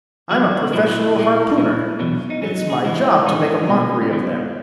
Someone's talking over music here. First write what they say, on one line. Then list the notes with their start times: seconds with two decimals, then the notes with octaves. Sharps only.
"I'm a professional harpooner! It's my job to make a mockery of them!"
0.31 G#2 F#3 F#4
0.73 A#2 F#3 E4
1.15 A#2 G#3
1.58 A#2 G#3
2.00 E2 B2 F#3
2.30 D#4
2.42 G#2 F#3 C#4
2.56 D#4
2.70 G#4
2.84 G#2 E3 G#3 E4
3.26 G#2 E3 G#3 D#4
3.69 B2 G#3 A#3
4.02 C#4
4.10 G#2 D#3 F#3 B3